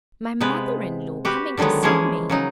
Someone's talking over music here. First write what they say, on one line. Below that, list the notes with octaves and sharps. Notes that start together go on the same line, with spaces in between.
My mother-in-law coming to see me!
C3 G#3 B3 B4
F#4 G4 B4
D3 D#3 F#3 G#3 B3
E3 F3 G#3 A#3 C#4 G#4
C#3 F#3 D#4